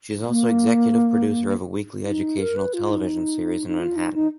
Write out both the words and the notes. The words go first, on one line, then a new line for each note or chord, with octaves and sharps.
She is also Executive Producer of a weekly educational television series in Manhattan.
A#3
D#4
A#4
B4
F4
D#4
D#4
F4
D#4
D#4